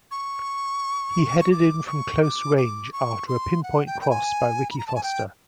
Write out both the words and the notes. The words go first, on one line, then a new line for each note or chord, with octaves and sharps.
He headed in from close range after a pinpoint cross by Ricky Foster.
C#6
C#6
D6
C#6
D6
D6
C#6
C6
F#5
G5
G5
G#5
B5
A#5
A5
G#5
G5